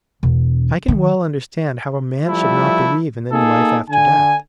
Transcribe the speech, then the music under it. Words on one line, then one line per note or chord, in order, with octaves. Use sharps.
I can well understand how a man should not believe in any life after death.
E1
D#3
F3 G3 A3 E4
A#3 D#4 G#4 A4
D3 G#5